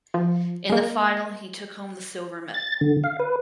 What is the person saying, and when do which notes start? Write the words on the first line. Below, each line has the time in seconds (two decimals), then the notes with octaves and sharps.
In the final he took home the silver medal.
0.14 F3
0.70 G#3 A#3
2.54 A6
2.81 D3
3.04 F5
3.19 B4